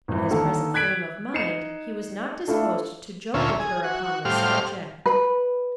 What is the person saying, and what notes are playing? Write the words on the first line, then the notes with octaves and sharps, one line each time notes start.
In his present frame of mind he was not disposed to joke with her upon the subject.
G#1 E3
D3 D#3 A#3 A4
F#6 G#6 B6 D7 F#7
D#4 C7 C#7 E7
A3 D4 E4 F4 A4
D2 A#2 C#4 F4 E5
G#4
F#4
A2 G3 G4 C5 F5 F6
B4